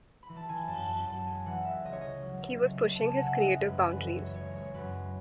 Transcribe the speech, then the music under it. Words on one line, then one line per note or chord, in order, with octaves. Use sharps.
He was pushing his creative boundaries.
B5
E3
A5
E3 G#5
F#2 A5
F#2 A5
F#2 A5
G#3 G#5
E3 F#5
G#3 E5
C#2 D#5
C#5
C#3 D#5
F#3
C#2
C#3
C#2
A5
C#3
G#5
C#3 F#5
E5
G#3 D#5
F#2
B4
F#2
B4
E3
G#3 C#5
G#3 C#5
G#3 C#5
F#2 B4
G#3